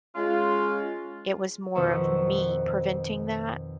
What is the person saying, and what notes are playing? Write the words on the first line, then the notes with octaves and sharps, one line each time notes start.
it was more of me preventing that
G#3 C#4 F4
F2 B2 D#3 C5 E5 C#6